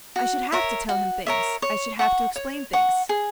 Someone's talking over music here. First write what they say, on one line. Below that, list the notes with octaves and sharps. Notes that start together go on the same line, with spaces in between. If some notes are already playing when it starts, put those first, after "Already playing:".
I should have to tell him things, I should have to explain things----.
F#4
A#4 C#5 E5
F#4
A#4 C#5 E5
C#5
F#5 C#6
C#5
F#5 C#6
G#4